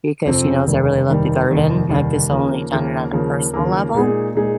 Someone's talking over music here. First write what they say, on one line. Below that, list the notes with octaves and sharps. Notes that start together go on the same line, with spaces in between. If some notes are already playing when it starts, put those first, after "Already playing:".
because she knows I really love to garden. I've just only done it on a personal level
F2 C3 F3 C4
F1 D#2 D#3 G3
F1 D#2 D#3 G3
F1 D#2 D#3 G3
F1 D#2 D#3 G3
D#2 C#3 F3 A#3
D#2 C#3 F3 A#3
D#2 C#3 F3 A#3
D#2 C#3 F3 A#3
A#2 G#3 D#4 G#4
A#2 G#3 D#4 G#4